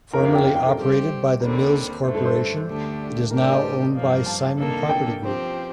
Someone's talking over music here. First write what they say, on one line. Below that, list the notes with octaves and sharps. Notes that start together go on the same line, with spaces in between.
Formerly operated by the Mills Corporation, it is now owned by Simon Property Group.
F2 C3 D#3 A#3 A#4
F5
G5
G5
G5
A4
G3 C4 G4 A4
D#2 D3 G3 C4 A#4
G2 D3 A3 C5
A4
C5
A4
D2 D3 A3 D4 G4
A2 G3 D4 G4 A#4
D5
D#5
C5
G2 F3 A#3
A5
C3 D#3 A#3 D4 A4
G5
F3 C4 G4